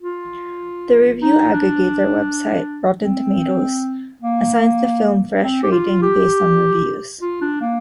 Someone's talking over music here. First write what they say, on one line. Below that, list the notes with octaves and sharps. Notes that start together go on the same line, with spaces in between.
The review aggregator website Rotten Tomatoes assigns the film fresh rating based on reviews.
F4
D#4
D4
C4
A#3
C4
G4
F4
G4
F4
D4
A#3